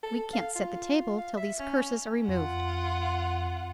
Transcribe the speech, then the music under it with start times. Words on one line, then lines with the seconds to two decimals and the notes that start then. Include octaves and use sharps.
We can't set the table till these curses are removed.
0.03 A4
0.33 F5
0.55 F4
1.18 F5
1.37 E5
1.59 C#4
2.28 F2 F4 F#5